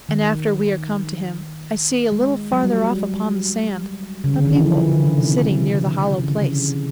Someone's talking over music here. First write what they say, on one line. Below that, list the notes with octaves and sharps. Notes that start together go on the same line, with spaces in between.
And after we are come to him, I see A little farther off upon the sand A people sitting near the hollow place.
D#3
G#3
F#3
G3
C#3
D3
D#3
E3
F3
D3
C#3
C3
C#3
D3
C#3